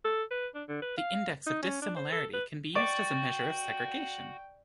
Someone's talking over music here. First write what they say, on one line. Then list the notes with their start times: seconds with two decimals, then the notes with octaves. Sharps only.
The index of dissimilarity can be used as a measure of segregation.
0.05 A4
0.31 B4
0.55 D4
0.69 D3
0.82 B4
0.97 F5
1.47 D#4
1.62 C#4
1.82 D4
1.96 C5
2.12 A4
2.33 B4
2.75 F#4 D5 G5 C#6